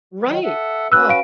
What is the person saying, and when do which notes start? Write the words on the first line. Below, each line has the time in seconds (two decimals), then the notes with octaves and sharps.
Right. Ugh.
0.24 D#3 F#3
0.44 A4 E5 F#5
0.92 C#4 F#4 B4 E6 F#6
1.09 F5 D7